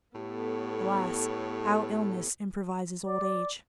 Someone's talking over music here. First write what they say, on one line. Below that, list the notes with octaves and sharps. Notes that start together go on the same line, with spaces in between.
Alas! how illness improvises old-age!
A2 B3 G4 A4 C#5
D5